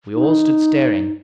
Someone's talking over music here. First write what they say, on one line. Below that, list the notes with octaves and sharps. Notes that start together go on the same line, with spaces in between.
We all stood staring.
D#4